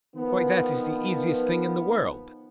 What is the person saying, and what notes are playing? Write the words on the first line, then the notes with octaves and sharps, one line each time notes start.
Why, that is the easiest thing in the world.'
D#3 F3 B3